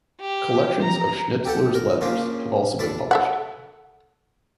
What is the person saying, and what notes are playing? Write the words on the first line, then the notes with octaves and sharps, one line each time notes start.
Collections of Schnitzler's letters have also been published.
G4
A#5
G4 A4 F#5 G5
A#4
C#3 F3 A#3 D4
D4 A4 D5 B5
A4 E5 F#5